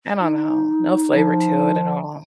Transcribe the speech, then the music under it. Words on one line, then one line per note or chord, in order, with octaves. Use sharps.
I don't know, no flavor to it at all.
D#4
F3